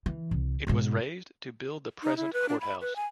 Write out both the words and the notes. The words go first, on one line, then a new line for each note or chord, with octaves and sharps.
It was razed to build the present courthouse.
E3
C2
G#2 B2
D#4
E4
B4
D4
B5
B4
G#5